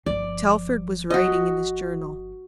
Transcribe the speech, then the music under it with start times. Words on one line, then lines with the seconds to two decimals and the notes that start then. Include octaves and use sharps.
Telford was writing in his journal.
0.06 G1 F3 D5
1.10 F#4 D#5